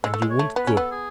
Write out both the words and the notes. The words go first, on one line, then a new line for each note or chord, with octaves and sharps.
And you won't go?
G#3 A4
A3
G#3
C#5
A3
B3 B4
C#4
B3 A4
G#4